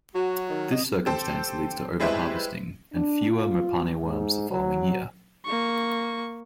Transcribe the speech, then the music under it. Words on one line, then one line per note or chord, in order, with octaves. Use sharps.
This circumstance leads to overharvesting, and fewer mopane worms the following year.
F#3 F#4
D#3
D#5
C4 G4 A4 C5
G3 G#3 E4 B4 C5 E5
D4
F4
G#2
F#3
A#3 C#6